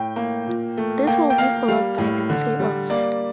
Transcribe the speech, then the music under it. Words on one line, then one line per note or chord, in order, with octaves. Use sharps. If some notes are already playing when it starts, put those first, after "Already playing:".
This will be followed by the playoffs.
Already playing: A2 G5
A#3
A#2
A3
A#3 G5
G5
A#3 F5
G3 F5
A2
D3
G3
A#3 D5